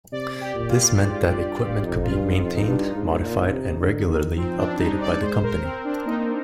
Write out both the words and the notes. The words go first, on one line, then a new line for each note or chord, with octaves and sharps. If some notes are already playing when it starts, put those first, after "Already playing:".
This meant that equipment could be maintained, modified, and regularly updated by the company.
C3 D5
G4
A#2
F4
G#2
G2
F2 D#4
F4
G2
F4
F2
F4
D#4
G2 D4
D#4
G#2
A#2
C3
D3
D#3
F3 C4
D4
G3 D#4
D5
G#3 C5
A#4
C4
D4
A#3 D#4